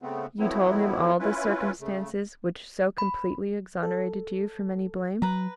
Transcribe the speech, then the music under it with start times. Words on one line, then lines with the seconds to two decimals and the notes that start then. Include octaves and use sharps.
"You told him all the circumstances--which so completely exonerated you from any blame?"
0.02 C#3 A3 B3 C4
0.39 F3 F#3 A3 B3 C4 E4
1.20 C#4 E4 F4 B4
1.80 C#3 A3
2.98 B5
3.83 A4
5.22 F#3 B4 A#5